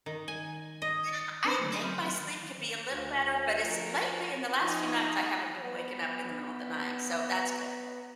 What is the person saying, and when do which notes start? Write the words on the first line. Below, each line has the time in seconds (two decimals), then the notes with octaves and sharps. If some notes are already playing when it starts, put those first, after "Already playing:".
Yeah! I think my sleep could be a little better, but it's lately, in the last few nights, I haven't been waking up in the middle of the night, so that's good.
0.06 D#3
0.28 G#5
0.82 D#5
1.44 C4 D4 D#4 B4
1.59 D3 D#3 F#3 A3 A#3 C#4
1.81 F#3 C4 B5 C6 F6 G6
2.20 D#3
2.91 D2
3.63 F3 F#4 A#4
4.60 F3 D#4 E5 G#5
5.62 B3 B4